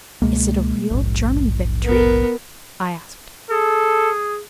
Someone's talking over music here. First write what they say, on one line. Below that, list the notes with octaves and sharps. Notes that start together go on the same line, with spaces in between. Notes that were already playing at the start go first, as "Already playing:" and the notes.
"Is it a real German victory?" I asked.
C#2 B2 G#3 A#3
E1 A#1 G#2
B3 A#4
G#4 A4